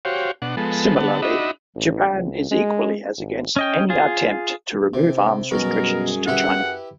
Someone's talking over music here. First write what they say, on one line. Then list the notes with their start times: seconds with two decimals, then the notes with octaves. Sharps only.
Similarly, Japan is equally as against any attempt to remove arms restrictions to China.
0.05 F#4 G4 C5 C#5 F5
0.42 B2 D4 F#5
0.57 F3 G#3 B3 A4
0.96 D3 B3 F#5 A5
1.22 D4 D#4 F#4 D#5 E5 B5
1.75 A1
2.14 C#2
2.51 G#3
3.17 G#1
3.56 C#4 D#5 G5
3.90 F4 G#4
4.94 C3
5.51 F#2 B2 F#3 G3 C#4 G#4 A#4
6.28 E4 G4 B4 F#5